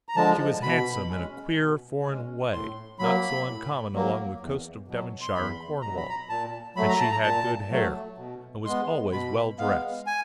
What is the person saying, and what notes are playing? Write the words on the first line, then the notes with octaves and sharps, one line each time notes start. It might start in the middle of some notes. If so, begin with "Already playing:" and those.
She was handsome in a queer, foreign way not so uncommon along the coasts of Devonshire and Cornwall, and she had good hair, and was always well dressed.
A#5
D3 F3 G#3 A5
B2 B5
G#3 C#4
B2
G#3 C#4
A2 C6
F#3 A#3 B5
A2
F#3 A#3
E2
B2 F#3
C6
E2 B5
B2 F#3 A#5
B5
A#5
A#2 A5
F#3 A3 B5
A#5
A5
A#5
A#2 A5
F#3 A3
B2
G#3 B3 C6
B2 B5
G#3 B3 F5
G#5